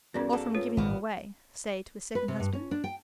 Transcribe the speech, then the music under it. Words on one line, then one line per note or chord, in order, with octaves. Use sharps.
"Or from giving them away,--say to a second husband."
E2 G2 B3 C#4 F#4 A#4 B4 D5
G#2 A#3 A4
C4 C#4 F4 B4 C#5
G#1 A#2 A#3 B3
B4
C3
G2
C#4
D4
G5